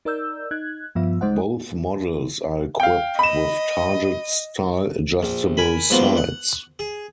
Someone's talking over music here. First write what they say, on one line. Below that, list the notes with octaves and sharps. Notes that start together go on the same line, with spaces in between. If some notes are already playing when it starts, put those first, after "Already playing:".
Both models are equipped with target style adjustable sights.
D#4 A#4 D5 E6 G6
D#4 F#6 G#6
G2 F3 B3 F4 E5
G#3 D#4 C5 D#5 F#5
F5 G5
D#5 B5 E7
A#1
A#4 G#5 B5
G#2 F3 F#3 A#3 B3 F4
F#5
G#4